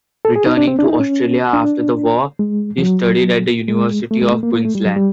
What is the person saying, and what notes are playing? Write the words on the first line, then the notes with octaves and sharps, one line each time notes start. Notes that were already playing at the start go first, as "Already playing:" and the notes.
Returning to Australia after the War, he studied at the University of Queensland.
A4
G#4
D#4
D4
C4
D4
E4
D#4
C#4
D4
G#3
F3
F#3
G#3
A3
G#3
A3
A#3
A#3
A3
G3
F#3
G3